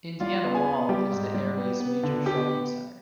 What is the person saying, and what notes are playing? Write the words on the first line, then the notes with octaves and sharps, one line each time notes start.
Indiana Mall is the area's major shopping center.
G3 F4 F5
B3
G#4 G#5
B3
G3 G4 G5
G#2
G3
B3
B3
D3
B3 G4 G5